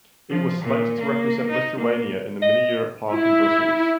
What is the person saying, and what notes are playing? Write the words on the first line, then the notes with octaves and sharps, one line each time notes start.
It was selected to represent Lithuania in the Mini-Europe Park in Brussels.
F3
A#2
A#3
D#4
A#3
D#5
E4